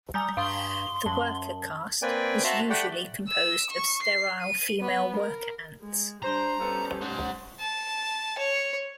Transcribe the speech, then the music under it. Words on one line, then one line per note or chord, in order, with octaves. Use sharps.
The worker caste is usually composed of sterile female worker ants.
G3 G#5 A#5 D#6 G6
G2 F5 C6 C#6 D#6
F#2 A5
A#3 C4 B4 D5 G5 G#5
F#4 E5 A5 A#5 C6 F#6
A3 G4 D5 F#5 G5 B5
E6
C#6
C7
D#7
B3
A#4
G#3
G3 D4 C5 A#5
F3 G3 B3 C#4 A4
C5 F#5
A5
C#5